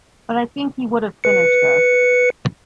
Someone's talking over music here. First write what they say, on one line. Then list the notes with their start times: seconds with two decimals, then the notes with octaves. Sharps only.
But I think he would've finished us.
1.24 B4 C#7